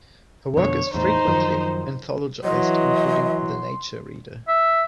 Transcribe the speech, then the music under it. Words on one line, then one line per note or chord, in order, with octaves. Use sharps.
Her work is frequently anthologised, including "The Nature Reader".
F2 B2 D3 C#5
E2 A2 D#4 C5
F#2 D#3 F3
E3 F#3 D#5 C6
E5